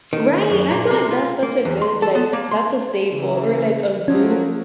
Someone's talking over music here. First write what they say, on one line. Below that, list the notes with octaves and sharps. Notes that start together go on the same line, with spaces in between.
Right, I feel like that's such a good, like that's a staple or like a zoo.
D#3
F#2
A#2
C3
F4
A#3
E2
C6
A4
B3
A#3
C6
C#3 E3
F3 F#3 C#4